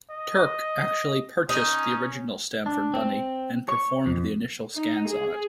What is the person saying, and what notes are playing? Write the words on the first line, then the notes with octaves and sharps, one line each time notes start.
Turk actually purchased the original Stanford Bunny, and performed the initial scans on it.
D#5
C#4 D#4
D4
C4
C#5
F2
D#4
G#4